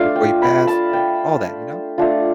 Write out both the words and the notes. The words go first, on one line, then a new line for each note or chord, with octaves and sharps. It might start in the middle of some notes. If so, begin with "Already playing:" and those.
before he passed, and all that, you know?
Already playing: A3 D4 F4 F5
G5
B5
A5
G5
A3 D4 F4